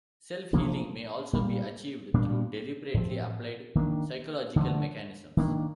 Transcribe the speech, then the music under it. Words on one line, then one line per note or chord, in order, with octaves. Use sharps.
Self-healing may also be achieved through deliberately applied psychological mechanisms.
C3 F3 A#3 D4
A#2 G3 A#3
A#2 G3 A#3 D4
A2 F3 C4
D#3 A#3 D4
D3 F3 A3
D#3 A#3 D4